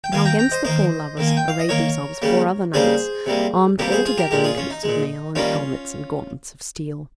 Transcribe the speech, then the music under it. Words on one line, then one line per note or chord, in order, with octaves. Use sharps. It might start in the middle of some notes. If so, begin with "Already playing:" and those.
Now against the four lovers arrayed themselves four other knights, armed altogether in coats of mail, and helmets and gauntlets of steel.
G5
D#3 A#3 F5 G#5
G5 A#5
G5 A#5
C5 D#5
D#3 A#3 C5 D#5
D#3 A#3
G#5
G5
F5
D#5
D#3 A#3 A#4 C#5
C#3 G3 A#3
C#3 G3 A#3 G#4 C5
C3 G3 A#3
C3 G3 A#3 G4 A#4
G#4 C5
F4 G#4
G4 A#4
A#2 G#3 G4 A#4
F4 G#4
C#4 F4
D#4
A#2 G#3
D#3 G3 A#3 C#4 F4